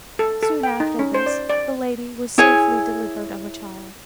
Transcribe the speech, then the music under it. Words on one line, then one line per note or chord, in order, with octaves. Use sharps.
Soon after this, the lady was safely delivered of a child.
A4
A4
G5
D#4
C#4
C5
D5
D5
E4 G#4 C#5 G#5